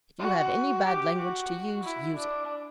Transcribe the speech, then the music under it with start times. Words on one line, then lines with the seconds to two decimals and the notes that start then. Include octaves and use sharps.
'If you have any bad language to use, use it.
0.19 F#4
0.85 G4
1.18 F#4
1.83 E4
2.17 D4